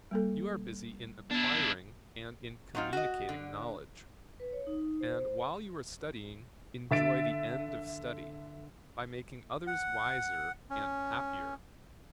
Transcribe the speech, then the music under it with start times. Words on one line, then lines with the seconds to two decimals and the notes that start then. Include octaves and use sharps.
You are busy in acquiring and in communicating knowledge, and while you are studying, enjoy the end of study, by making others wiser and happier.
0.11 G3 A#3 A4
1.31 B3 D4 E4
2.75 F#3 C4 D#4 F4
2.93 F#4 D#5
3.29 D3
4.40 B4
4.52 C#5
4.67 D#4
5.01 C5
6.91 D3 E5 A6 D7
9.67 F#5
10.70 C#4